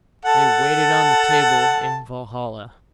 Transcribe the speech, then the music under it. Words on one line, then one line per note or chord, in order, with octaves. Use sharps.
They waited on the table in Valhalla.
A4 F#5 A5